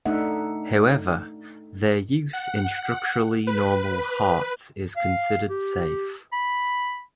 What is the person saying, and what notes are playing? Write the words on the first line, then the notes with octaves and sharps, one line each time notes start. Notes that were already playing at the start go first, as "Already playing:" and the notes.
However, their use in structurally normal hearts is considered safe.
A3 D4 D#4 E5 F#5
F#5
B4
F5
G4
B5